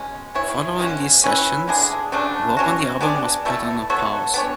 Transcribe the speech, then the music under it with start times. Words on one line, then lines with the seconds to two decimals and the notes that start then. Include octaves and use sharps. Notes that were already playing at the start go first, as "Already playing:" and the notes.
Following these sessions, work on the album was put on a pause.
Already playing: B2 G#3 C#4
0.34 B3 E4 G#4 C#5
0.79 B2 G#3 C#4 F#4
1.24 C#4 E4 B4
1.68 D3 G#3 D4 G#4
2.12 C#3 F#3 A3 D4
2.57 F#3 C#4 F#4
3.00 B3 D4 G#4 D5
3.45 B2 A3 E4 A4
3.90 B3 F#4 A4 C#5
4.34 B3 D4 G#4 C#5